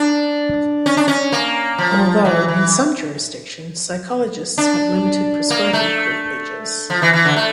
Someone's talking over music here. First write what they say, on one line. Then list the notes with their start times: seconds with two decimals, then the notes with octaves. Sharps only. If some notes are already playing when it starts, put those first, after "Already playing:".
Although, in some jurisdictions, psychologists have limited prescribing privileges.
Already playing: D4
0.86 C#4
0.97 D4
1.08 C#4
1.32 A#3
1.78 F3
2.25 E3
2.48 E3
4.58 D4
5.50 A#3
5.73 A3
6.90 F3
7.02 E3
7.13 E3
7.25 D3
7.36 A3